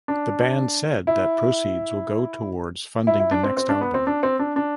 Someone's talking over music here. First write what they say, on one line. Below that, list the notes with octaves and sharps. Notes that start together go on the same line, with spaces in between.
The band said that proceeds will go towards funding the next album.
D4
E4
E4
E4
D4
C4
C4
D4
B3
C4
D4
C4
D4
D4